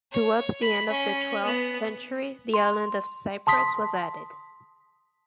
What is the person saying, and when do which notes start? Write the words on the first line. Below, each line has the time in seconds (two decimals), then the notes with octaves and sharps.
Towards the end of the twelfth century the island of Cyprus was added.
0.12 C#5
0.62 B5
0.91 C#4
1.45 B3
2.54 C6
3.47 A5 C6 D#6 B6